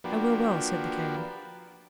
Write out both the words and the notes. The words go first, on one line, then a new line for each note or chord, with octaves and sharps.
I will well, said the king.
F3 A#3 D4 F#4 G4 B4